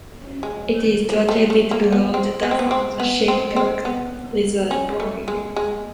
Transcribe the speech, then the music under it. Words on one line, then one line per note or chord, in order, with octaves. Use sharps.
It is located below the dam of the Shek Pik Reservoir.
G#3
A3
A3
A#3
B3
C4
B3
C4
B3
C4
B3
C4
C4
B3
C#4
A3
G#3
G#3